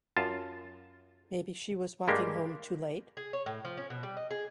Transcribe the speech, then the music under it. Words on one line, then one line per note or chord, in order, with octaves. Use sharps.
Maybe she was walking home too late?
F#2 F4 A5
G2 G3 G#3 A#3 G4
G#4
C#5
A2
F3
C#4
B2
G3
D#5
G#4